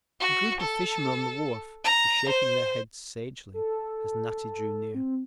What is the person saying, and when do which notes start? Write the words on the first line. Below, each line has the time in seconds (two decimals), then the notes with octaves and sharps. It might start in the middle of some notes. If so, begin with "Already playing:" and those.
A group of fishermen on the wharf were shaking their heads sagely as Natty drew near.
0.21 F#4
0.60 A4
1.84 A#5
2.29 C5
3.54 A4
4.95 C4